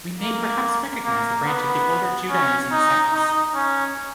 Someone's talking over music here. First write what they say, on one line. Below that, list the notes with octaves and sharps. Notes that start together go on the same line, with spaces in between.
We may perhaps recognize a branch of the older Judaizing sects.
A#3
A#3
B3
C#4
D#4
D#4
C#4